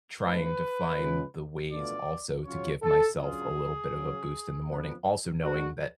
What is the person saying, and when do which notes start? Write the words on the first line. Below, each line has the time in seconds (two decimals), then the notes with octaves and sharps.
trying to find the ways also to give myself a little bit of a boost in the morning also knowing that,
0.22 G#2 F3 A3 B4
0.97 C#3 G#3 C#4 F4
1.71 B2 A3 D4 F4 D5
2.45 C#3 F#3 C#4 F4 C#5
2.83 A4
3.19 D3 F#3 C#4 F4 G#4
3.94 C#3 F#3 C#4
4.68 F2 D3 F3 B3
5.43 D3 G#3 D4 F#4